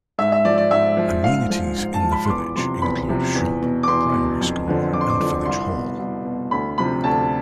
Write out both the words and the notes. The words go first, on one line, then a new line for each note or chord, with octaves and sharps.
Amenities in the village include a shop, primary school and village hall.
G#2 E5
E5
F3 D5
D5
G#2 E5
F3
G#2 F5
F3
G#2
A5
F3
B5
C6
E2 D6
C3 F3 C6
E2 B5
C3 F3
E2
B2
D6
E2 C6
B2
F2
D3 F3
F2 D6
C6
D6
D3 F3
C2 C6
B2
C2
B2
D2 B5
C3 F3 B5
D2 A5